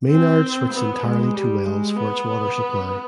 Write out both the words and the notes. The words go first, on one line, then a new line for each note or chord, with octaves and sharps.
Maynard switched entirely to wells for its water supply.
C4
B3
G#3
G3
G#3
B3